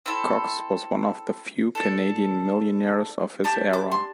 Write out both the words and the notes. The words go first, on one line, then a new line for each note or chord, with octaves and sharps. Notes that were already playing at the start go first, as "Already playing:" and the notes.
Cox was one of the few Canadian millionaires of his era.
C4 E4 A4 E6
D4 A4
D4 G4 A5
D6
C6